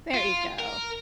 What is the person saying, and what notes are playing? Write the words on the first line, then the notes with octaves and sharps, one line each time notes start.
There you go.
F4
A#4